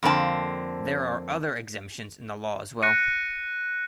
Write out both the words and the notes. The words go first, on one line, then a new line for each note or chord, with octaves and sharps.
There are other exemptions in the law as well.
F2 D3 A#3 C4 A5
F#6 A#6 C#7 D#7